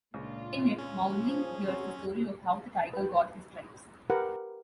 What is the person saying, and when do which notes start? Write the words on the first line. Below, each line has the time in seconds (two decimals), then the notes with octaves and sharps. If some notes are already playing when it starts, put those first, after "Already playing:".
In it, Mowgli hears the story of how the tiger got his stripes.
0.14 C#2 A#2 D4 F4
0.79 G#3 C#4 F4
1.29 F3 G#4
1.68 F#3 C4
2.93 B4 G5
4.10 G4 A#4 B4 F#5